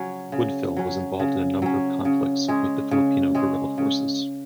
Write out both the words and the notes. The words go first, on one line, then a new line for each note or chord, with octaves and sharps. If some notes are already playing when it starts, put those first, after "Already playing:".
Woodfill was involved in a number of conflicts with the Filipino guerrilla forces.
Already playing: C#3 F#3 C#4
C#3
F#3 C#4
C#3
F#3 C#4
C#3
G#3 C#4 G#4
C#3
G#3 C#4 G#4
C#3